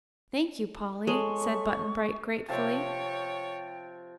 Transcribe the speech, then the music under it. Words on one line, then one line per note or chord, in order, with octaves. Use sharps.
"Thank you, Polly," said Button-Bright gratefully.
G#3 A4 C#5 A5 C#6
C3 F3 C#5 G5 A5